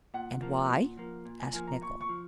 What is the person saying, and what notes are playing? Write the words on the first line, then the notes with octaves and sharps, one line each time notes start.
"And why?" asked Nicholl.
A#2 F#5
F3 A#3
A#2
F3 A#3
A#2
G#5
F3 A#3 G#5
A#5
A#2 C#6
C#6
F3